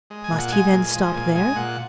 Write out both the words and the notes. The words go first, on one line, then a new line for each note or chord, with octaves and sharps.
Must he then stop there?
G#3
G#5
A#2
F#5
G#3 G#5
A#2
F3 G#3
A#2 G#5
G#3 G#5
A#2 F#5